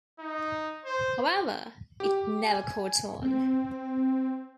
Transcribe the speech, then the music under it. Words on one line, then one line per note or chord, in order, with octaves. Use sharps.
However, it never caught on.
D#4
C5
G4
G#5
C4